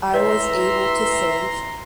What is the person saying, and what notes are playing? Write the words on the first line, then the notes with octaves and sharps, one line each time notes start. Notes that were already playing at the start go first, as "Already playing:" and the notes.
I was able to save.
E3 B4 C#5 E5 A#5 C6